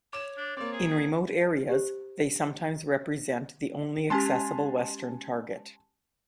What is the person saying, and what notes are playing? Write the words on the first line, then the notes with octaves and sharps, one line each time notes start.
In remote areas, they sometimes represent the only accessible western target.
C#5 D6 E7
D4
A#3 C4 D5
G#4
G4 C5
G#3 C#4 G4 G#5 A5 C6